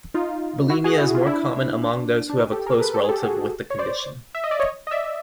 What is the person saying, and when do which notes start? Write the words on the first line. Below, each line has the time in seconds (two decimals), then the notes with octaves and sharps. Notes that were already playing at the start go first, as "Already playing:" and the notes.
Bulimia is more common among those who have a close relative with the condition.
0.14 D#4 F4
0.70 E4 F#4
0.84 F#4 G#4
0.98 E4 F#4
1.15 F4
1.27 D4 E4
1.83 D4
2.30 D4
2.39 D#4
2.52 G4 A4
2.66 G#4 A#4
2.80 A4 B4
2.94 G4 A4
3.03 G#4
3.09 G4 A4
3.22 F#4 G#4
3.70 C#5
3.78 C5 D5
4.35 E5
4.44 D#5
4.51 D5
4.60 C#5 D#5
4.87 D#5
4.91 D5 E5